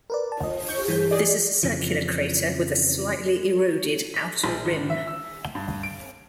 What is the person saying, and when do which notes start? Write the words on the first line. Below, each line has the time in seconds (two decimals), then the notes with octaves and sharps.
This is a circular crater with a slightly eroded outer rim.
0.10 A#4 B4 D5
0.32 A5
0.43 D#5
0.68 C#6 G6
0.88 G2 E3 G6
1.11 G#4 D5 D#5
1.63 F2 C#3 E3 F3
4.14 B6
4.44 A#1
4.65 G#1
4.90 E5
5.07 E6
5.55 G2
5.83 D7